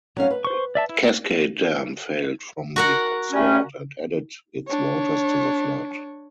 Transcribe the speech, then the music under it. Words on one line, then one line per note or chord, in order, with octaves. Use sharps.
Cascade Dam failed from the onslaught and added its waters to the flood.
F#3 C#4 F5
B4
C5 C#6
D5 E5 A5
E4
F#4 A#4 F#5
G3 A3 C#4
D4 C#5